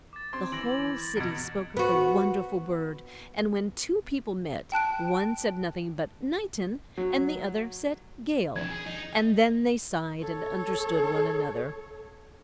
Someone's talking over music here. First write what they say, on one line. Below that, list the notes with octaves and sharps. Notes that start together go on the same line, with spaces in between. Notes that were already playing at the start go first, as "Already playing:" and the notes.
The whole city spoke of the wonderful bird, and when two people met, one said nothing but "Nightin," and the other said "gale"; and then they sighed, and understood one another.
D6 A6
C4 C6 G#6
E3 A#6 D7 F#7
A6
E2 B2 G#6 C#7 D7
B3 F#4
G5 A5 F#6 D7
F#3
F2 D4 G#6
G#4
D#4
A4 C#5